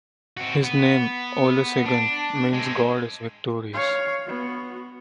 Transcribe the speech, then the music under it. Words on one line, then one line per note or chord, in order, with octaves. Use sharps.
His name, Olusegun, means "God is victorious".
C4 F#4
B3
D4
G#3 C4
C#5 F5
B3 F#4